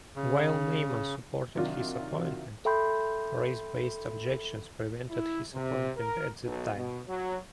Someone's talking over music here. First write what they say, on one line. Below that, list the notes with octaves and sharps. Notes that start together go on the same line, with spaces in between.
While Neyman supported his appointment, race-based objections prevented his appointment at that time.
C#3
C3 D#3 F#3 D4 F4 F#4
A4 E5 G5 B5 C6 G6
E4
C3
A#4
B1
B2
F#3